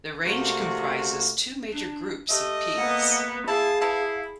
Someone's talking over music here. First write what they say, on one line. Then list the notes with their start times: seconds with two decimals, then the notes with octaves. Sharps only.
The range comprises two major groups of peaks.
0.25 C3 A3 A#3 D4 F#4
1.72 D4
2.30 A3 G4 D#5
2.76 A#3 B3 F#5
3.48 E4 G#4 F5 A5
3.81 B3 E4 A5